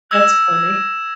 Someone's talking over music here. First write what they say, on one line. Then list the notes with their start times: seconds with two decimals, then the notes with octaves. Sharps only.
That's funny.
0.11 E6 G#6 A#6 E7